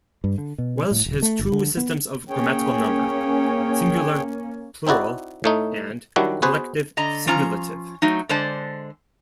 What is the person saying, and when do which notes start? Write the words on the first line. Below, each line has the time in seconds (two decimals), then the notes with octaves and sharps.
Welsh has two systems of grammatical number, singular-plural and collective-singulative.
0.24 G2
0.38 D3
0.58 B2
0.91 A2
1.06 D#1
1.22 A3
1.39 G1
1.52 D3
1.77 B3
2.29 A#3 C#4 G#4 C#5 G5
4.87 C4 D#4 E4 F#4 D5
5.44 A2 A3 D#4
6.16 D#3 F#3 G3 D4 E4 F#4
6.42 B3 F#4 G#4 B4 C5
6.97 D3 D#5 A#5
7.27 F3 C#4 F4 A#5
8.02 F#3 A3 D#4
8.29 D3 G#3 C5 D5 A5